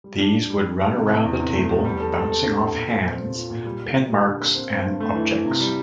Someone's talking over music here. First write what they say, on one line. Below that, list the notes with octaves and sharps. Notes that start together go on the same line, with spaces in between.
These would run around the table, bouncing off hands, pen marks and objects.
G3
D4
D4
G3
G3
G3
C3
E3
E2
C3
A3
E2
G3
A4
A4
A4
D4
A4
A#2
A#2
C4
C4
F4
A#2
G3
G3
A#3
G3
D3
A#3
C4
C4
G2
A3
E3
E3
C3
G3